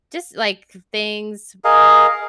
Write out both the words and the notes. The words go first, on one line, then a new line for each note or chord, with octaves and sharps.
just, like, k things,
G#4 A#4 D#5 F5